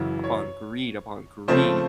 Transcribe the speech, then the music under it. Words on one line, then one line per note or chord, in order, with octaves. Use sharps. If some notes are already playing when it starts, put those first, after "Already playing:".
upon greed, upon greed,
Already playing: F#2 C#3 E3
C#5
C#3 F3 A3 C4 C5